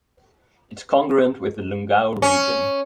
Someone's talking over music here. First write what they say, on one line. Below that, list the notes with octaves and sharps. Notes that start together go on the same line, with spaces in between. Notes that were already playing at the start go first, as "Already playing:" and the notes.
It is congruent with the Lungau region.
C#4